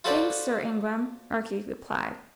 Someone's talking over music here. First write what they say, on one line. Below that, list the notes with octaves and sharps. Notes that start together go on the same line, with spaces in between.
"Thanks, Sir Ingram," Archie replied.
F4 F#4 A4 B4 C5 D5